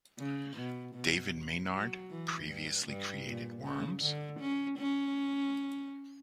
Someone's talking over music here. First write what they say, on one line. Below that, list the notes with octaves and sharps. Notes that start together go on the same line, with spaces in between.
David Maynard previously created Worms?
C#3
B2
B2
F#3
E3
G2
G2
A#2
C#3
D3
C#4
C#4